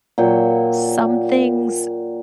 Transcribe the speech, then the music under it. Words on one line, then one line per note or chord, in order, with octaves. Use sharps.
some things
A#2 F#3 G5